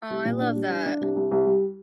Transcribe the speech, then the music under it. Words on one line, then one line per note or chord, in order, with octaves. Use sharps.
Oh, I love that.
C2
A#2
D4
G3
D4
D4
C2
C2
C2
G3